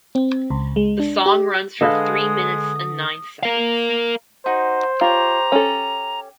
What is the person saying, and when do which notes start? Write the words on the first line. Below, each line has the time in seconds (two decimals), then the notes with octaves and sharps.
The song runs for three minutes and nine seconds.
0.15 C4
0.50 C#2
0.76 G#3
0.99 D4
1.26 G4
1.81 D3 G#3 A4 B4 D#5 F5 D#6
3.43 A#4 F5
4.46 D#4 F#4 C5
5.01 F4 G4 C#5 A#5
5.52 C#4 A4